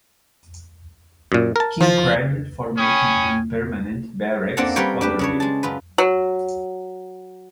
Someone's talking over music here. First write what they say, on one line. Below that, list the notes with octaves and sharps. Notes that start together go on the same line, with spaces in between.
King credit for making him permanent barracks orderly.
F#2 A#2
A#4 A5
F3
C#4 G5 G#5 B5 C#6 D#6
A#3 C4 D4 A4 F#5 A#5
G3 C4 A#4 B4 C#5 G5
D4 G4 B4
C#3 D4 C#5
G#3 A5
F#2 F4 B4
F#3